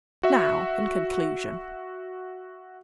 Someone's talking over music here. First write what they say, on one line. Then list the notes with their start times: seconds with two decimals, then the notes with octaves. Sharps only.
Now in conclusion.
0.23 F#4 E5